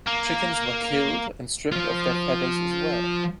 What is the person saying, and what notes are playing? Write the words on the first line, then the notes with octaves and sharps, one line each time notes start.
Chickens were killed and stripped of their feathers as well.
A#3
F3 F4